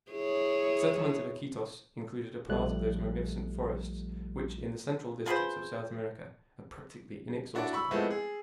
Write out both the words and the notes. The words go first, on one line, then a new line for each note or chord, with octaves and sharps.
The settlement of Iquitos included a part of those magnificent forests which, in the central districts of South America, are practically inexhaustible.
E4 G#4 C#5
A#1 F3 G3 A3 F#6
F4 G#4 B4 C5
D4 E4 F#4 D5
B5 C#6 E6
F3 G#3 A3 B3 C4 E4
G#4